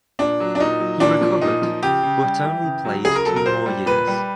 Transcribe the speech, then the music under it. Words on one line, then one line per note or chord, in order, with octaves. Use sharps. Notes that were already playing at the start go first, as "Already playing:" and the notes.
He recovered, but only played two more years.
A#2 D4
F#3
D4
A#2 D#4
F#3
A#2 D4
F3
A#2 D#4
F3
C#3 G4
C#3
G3
E3
C#3
F#3
C#3 G#4
A#4
F#3 A4
A#4
A#2 C5
G3
A#2 B4
G3